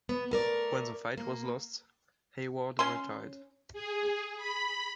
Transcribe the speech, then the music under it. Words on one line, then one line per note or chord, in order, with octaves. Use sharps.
When the fight was lost, Hayward retired.
B3
A3 A#4 D5
A#3
C#4 C6
G#4
B5